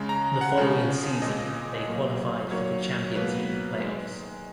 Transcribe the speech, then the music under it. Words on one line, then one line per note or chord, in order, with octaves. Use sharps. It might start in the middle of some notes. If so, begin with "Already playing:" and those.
The following season, they qualified for the Champions League play-offs.
Already playing: C#3 G#3
A#5
F#5
C#3 F3 G#3
A#2 G#3 D#5
A#2 F#3 A#3
D#3 F#3 A#3 C#5
B2 F#3 A#3 B4
D#3 G#3